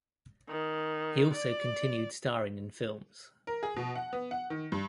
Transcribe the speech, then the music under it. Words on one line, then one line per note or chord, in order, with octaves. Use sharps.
He also continued starring in films.
D#3
D5
A#4
G#4
B2
F#5
B3
F#5
D#3
G2